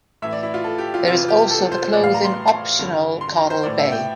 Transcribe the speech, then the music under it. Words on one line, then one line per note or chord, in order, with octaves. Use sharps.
There is also the clothing-optional Coral Bay.
A2 E3 E5
D5
E4
F4
A4
G4
F4
F2 C3 E3 F4
G4
A4
C5
A2 E3 D5
F5
A#5
C6
G2 D3
C6
A#5
C5
A2 E3 D5
E5
G5